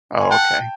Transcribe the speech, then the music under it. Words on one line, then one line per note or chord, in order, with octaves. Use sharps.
Oh, okay.
G#5
F#5 G5 A5